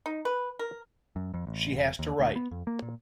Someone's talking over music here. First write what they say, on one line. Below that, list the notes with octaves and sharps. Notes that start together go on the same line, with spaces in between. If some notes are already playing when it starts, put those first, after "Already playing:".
She has to write.
D#4
B4
A#4
F#2
F2
A1
E1
D#2
D2
B3
F2
A#3
A#2